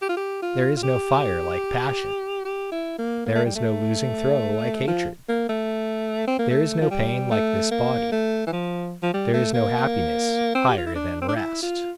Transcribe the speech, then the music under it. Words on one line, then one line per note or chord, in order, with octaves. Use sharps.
There is no fire like passion; there is no losing throw like hatred; there is no pain like this body; there is no happiness higher than rest.
G4
F4
G4
F4
F4
G4
G4
E4
A#3
A#3
A3
G3
A3
F3
A#3
A3
C4
A#3
A3
F3
G3
A3
A#3
A3
E3
F3
F3
G3
A3
A#3
C4
G4
F4
E4
D4
C4
D4
E4
F4